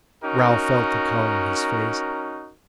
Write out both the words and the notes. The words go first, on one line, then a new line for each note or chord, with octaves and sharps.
Ralph felt the colour in his face.
C#4 D#4 F#4 A#4